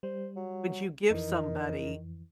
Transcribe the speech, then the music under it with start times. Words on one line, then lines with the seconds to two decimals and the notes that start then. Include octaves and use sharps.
would you give somebody
0.03 G3 C5
0.36 F#3
1.10 F2 D#3 E3